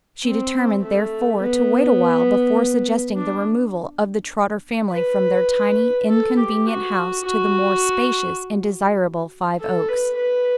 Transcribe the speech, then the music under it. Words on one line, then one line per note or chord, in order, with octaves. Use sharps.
She determined, therefore, to wait awhile before suggesting the removal of the Trotter family from their tiny, inconvenient house to the more spacious and desirable Five Oaks.
C4
A3
B3
D4
B4
A4
G4
F#4
F#4
A4
B4
B4